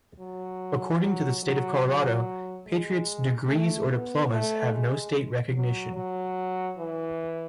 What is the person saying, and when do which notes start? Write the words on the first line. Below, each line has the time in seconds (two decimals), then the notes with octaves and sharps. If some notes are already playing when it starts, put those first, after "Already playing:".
According to the State of Colorado, Patriot's "degrees or diplomas have no state recognition".
0.19 F#3
1.01 F#3
1.43 F#3
1.83 F#3
2.66 G#3
3.48 A3
3.90 B3
4.31 A3
4.72 G#3
5.54 F#3
5.95 F#3
6.78 E3